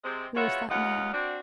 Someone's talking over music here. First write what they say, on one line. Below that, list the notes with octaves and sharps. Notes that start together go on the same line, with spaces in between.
Who is that man?
C3 G#3 C4
G#3 B3 F4 F#4 C#5 E5
D#2 C#4 D#4 F4 F#5
C4 D4 F#4